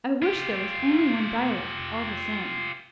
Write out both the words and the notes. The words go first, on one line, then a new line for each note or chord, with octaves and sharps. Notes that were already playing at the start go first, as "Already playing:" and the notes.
I wish there was only one dialect all the same.
F4 G4